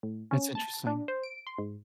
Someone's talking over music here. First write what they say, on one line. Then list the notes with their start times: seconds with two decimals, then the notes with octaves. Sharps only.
That's interesting.
0.03 A2
0.31 C#4
0.55 A5
0.87 D4
1.08 C5
1.23 D7
1.47 C6
1.58 G#2